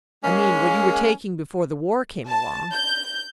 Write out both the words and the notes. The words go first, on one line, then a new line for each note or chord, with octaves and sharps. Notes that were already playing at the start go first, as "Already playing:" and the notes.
I mean what you were taking before the war came along.
G#3 A#3 C#4
A5
G6